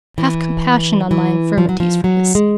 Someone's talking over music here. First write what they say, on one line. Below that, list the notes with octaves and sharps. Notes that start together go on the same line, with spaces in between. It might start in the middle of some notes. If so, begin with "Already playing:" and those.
Have compassion on my infirmities for his sake.'
E3
E3
F3
F#3
F3
F#3
G#3